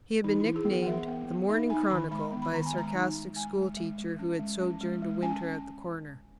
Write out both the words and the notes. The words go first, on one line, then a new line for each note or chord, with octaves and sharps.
He had been nicknamed "The Morning Chronicle" by a sarcastic schoolteacher who had sojourned a winter at the Corner.
E3 D#4
E3 E4
G#4
B3
A#4
F#5
E3 E5
B3
B3
D#4 E5
D#4 G#5
D#3 B5
G#3 B5
B3
B5
D#3 A#5
G#5
G#3 A#5
D#4
G#3
G#3 G#5
G#3
G#3
G#3
C#4
G#3
C#4
G#3
G#3
C#4 G#5
C#4